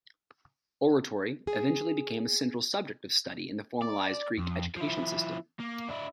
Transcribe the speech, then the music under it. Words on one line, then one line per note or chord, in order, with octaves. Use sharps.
Oratory eventually became a central subject of study in the formalized Greek education system.
G#4
D5
F2
F3 E4
A#3
D4 E4